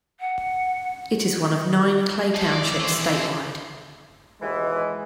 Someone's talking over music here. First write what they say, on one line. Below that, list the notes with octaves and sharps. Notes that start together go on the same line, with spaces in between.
It is one of nine Clay Townships statewide.
F#5
F3 G3
D5
E3
A3 C5
B2
F3 C4
D#2 B2 E3 G#3